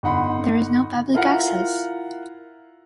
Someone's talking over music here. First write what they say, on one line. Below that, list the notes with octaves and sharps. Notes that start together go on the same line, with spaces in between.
There is no public access.
G1 D#4 F#5 B5 C6
E4 F4 A#4 F5 F#5